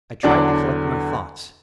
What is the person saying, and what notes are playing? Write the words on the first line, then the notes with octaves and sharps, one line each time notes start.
I tried to collect my thoughts.
E2 D3 F#3 D4 D5